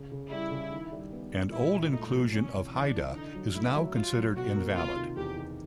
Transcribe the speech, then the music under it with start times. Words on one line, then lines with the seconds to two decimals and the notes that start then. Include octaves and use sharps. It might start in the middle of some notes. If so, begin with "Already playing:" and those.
An old inclusion of Haida is now considered invalid.
Already playing: C#3
0.12 C#3
0.31 G3 E4
0.51 C#3
0.72 D#3
0.92 G3
1.12 B3
1.33 G3
1.52 A#2 E4
1.73 A#2
1.93 A3 D#4
2.13 F3
2.33 C3 C#4
2.54 E3
2.74 E3 D4
2.95 E3
3.14 D3 D#4
3.35 F#3
3.55 A3 E4
3.75 F#3
3.95 F#3 F4
4.16 F#3
4.36 B2 F#4
4.56 A#3
4.76 C3 F4
4.97 D#3
5.17 E2 G4
5.37 D#3